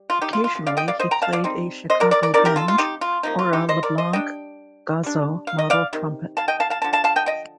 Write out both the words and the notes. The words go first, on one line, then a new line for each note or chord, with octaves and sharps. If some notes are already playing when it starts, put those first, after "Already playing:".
Occasionally, he played a Chicago Benge or a LeBlanc Gozzo model trumpet.
Already playing: G3
F4
D#4 G4
F4
F4
C3 F3
D5 F5
D#5 G5
D5 F5
C5 D#5
G5 A#5
F5 A5
D5 F5
G3 C4 D#4
C5 D#5
A#4 D5
A#4 D5
A#4 D5
F3 C4 D#4 A#4 D5
G4 A#4
F4 A4
F4
D#4 G4
F4
C3 F3 A#3 D#4
F4
D#4 G4
C5 D#5
A#4 D5
C5 D#5
G3 D4 D#5 G5
G3 D4
F5
D#5
D5 F5
C3 D#3
F5 A5
D#5 G5
F5 A5
F5 A5
D3 F3 A5
F5 A5
F5 A5
D#5 G5
D#5 G5